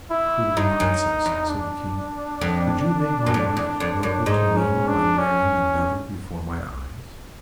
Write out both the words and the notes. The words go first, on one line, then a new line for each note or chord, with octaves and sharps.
"Cruel Princess!" said the King, "would you make my life horrible to me by marrying another before my eyes?"
E4
G2 D#4
F#2
E2
D4
F2
F#2
F2
E2
F2
F#2
G#2 D#4
C#4
D4
C#4